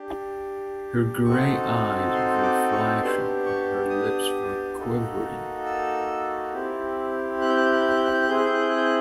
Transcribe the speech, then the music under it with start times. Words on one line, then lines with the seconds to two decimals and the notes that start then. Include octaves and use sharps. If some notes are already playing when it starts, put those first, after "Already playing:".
Her gray eyes were flashing, and her lips were quivering.
Already playing: D4 G4
1.25 C4 D#4 F#4 A4 C#6
2.14 C6
2.43 D6
2.72 C#6
3.02 B3 D4 G4 C6
3.46 C#6
3.90 D#6
4.77 A#3 D#4 F#4 A4
5.65 E6
6.53 C4 E4 G4
7.41 F#6
7.49 G6
7.57 F#6
7.66 G6
7.73 F#6
7.81 G6
7.90 F#6
7.97 G6
8.05 F#6
8.14 G6
8.21 F#6
8.29 C4 E4 G#4 G6
8.37 F#6
8.45 G6
8.54 F#6
8.61 G6
8.69 F#6
8.77 G6
8.85 F#6